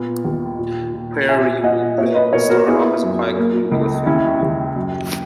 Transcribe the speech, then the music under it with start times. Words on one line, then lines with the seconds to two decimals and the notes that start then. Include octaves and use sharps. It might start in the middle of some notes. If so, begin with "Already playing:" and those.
Prairieville started off as a quiet community with few people.
Already playing: A#2 B3
0.25 D#2
0.59 A#2
0.94 A#2
1.28 A#2 E5 G#5
1.64 A#2 D#5 F#5
1.98 A#3 C#5 E5
2.15 B4 D#5
2.33 B2 A#4 C#5
2.50 F#4 A#4
2.67 B3 E4 G#4
3.03 F#2
3.37 A#3
3.72 C#2
4.06 D#2 C#4 E4
4.42 D#2
4.76 F#2